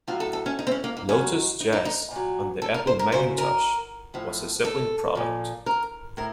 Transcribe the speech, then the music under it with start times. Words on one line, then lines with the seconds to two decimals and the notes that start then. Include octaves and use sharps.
Lotus Jazz on the Apple Macintosh was a sibling product.
0.08 A2 F#3 F4
0.20 A4
0.33 A4
0.46 C#4
0.59 D#4
0.67 C4
0.71 C#4
0.84 A#3
0.97 A#3
1.09 D#2 D#3 F#3 C#4
1.60 D#4
1.73 D#4
1.85 D#4
2.11 A#2 F#3
2.62 A4
2.74 A#4
2.87 C5
2.99 A#4
3.12 F#2 C#3 F#3 C5
3.38 A#4
4.14 A2 F3
4.65 A4
5.15 A#2 F3
5.66 A#4
6.17 A2 A#4